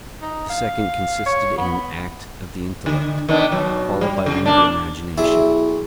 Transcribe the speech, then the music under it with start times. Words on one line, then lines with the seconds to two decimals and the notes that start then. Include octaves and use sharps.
The second consisted in an act of the intellect, followed by one of the imagination.
0.22 D#4
0.50 F5
1.26 C#5
1.58 B3
2.86 D3
3.29 D#3 B3 D4
3.52 B2 F#3
4.01 G3
4.26 C#3
4.46 B2 A#3 D4
5.18 B1 D4 E4 G#4 E5